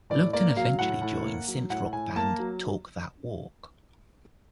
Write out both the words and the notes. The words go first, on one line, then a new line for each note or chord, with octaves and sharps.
Lugton eventually joined synth rock band Talk That Walk.
A2 D5
A#3 D5
F#3 F5
A2 F#5
A2
A#3
F#3
A2 F#5
A2 G#5
A#3 A5
F#3